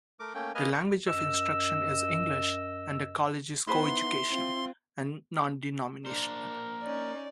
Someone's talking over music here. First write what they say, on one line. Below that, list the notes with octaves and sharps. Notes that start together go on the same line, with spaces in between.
The language of instruction is English and the College is co-educational and non-denominational.
A3 A#4 D6
A3 A#3 C#4 G5
A#3 B4 D#5 G#5 F6
A#4 C#6
F#2 D#5 E6
B3 D#4 E4 B4 C5 C6
C4 F4
A#3 D4 A#4 C5
C#4 D#4 D5